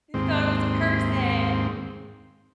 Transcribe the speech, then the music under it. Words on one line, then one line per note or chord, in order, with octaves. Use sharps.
he thought it was a person.
D#2 G#2 C4